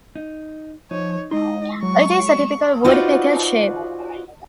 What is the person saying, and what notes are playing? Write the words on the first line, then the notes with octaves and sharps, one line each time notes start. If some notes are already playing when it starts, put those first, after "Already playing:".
It is a typical woodpecker shape.
D#4
F3 D#4 C#5
G#3 D#4 E4 D#5 C6
F#3 C#6
D#4 F4 F#4 B4 C5 D5